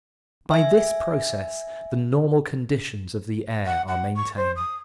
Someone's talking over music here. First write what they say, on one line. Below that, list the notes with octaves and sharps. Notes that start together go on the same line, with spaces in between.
By this process the normal conditions of the air are maintained.
E5 G#5
F#5
F#5
C#6
C5
D#6